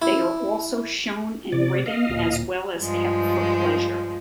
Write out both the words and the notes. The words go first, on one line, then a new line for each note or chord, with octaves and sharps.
They are also shown and ridden, as well as kept for pleasure.
E4
C3 D5
D#5 F5
D1 A#2
G2 F3 G#3 D4